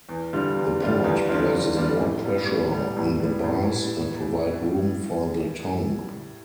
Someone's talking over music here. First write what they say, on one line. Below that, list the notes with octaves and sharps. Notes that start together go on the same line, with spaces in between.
A port places more pressure on the bars, and provide room for the tongue.
E2
D3 G3 D4 F4
E2
D3 G3 D4 F4
E2
D3 G3 D4 F4
E2
D3 G3 D4 F4
A2
G3 B3
A2
G3 B3
A2
G3 B3
A2